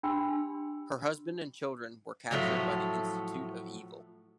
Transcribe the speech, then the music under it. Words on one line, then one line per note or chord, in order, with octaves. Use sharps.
Her husband and children were captured by the Institute of Evil.
D4 G4 G5 B5 C6 E6
A2 F3 F#3 A3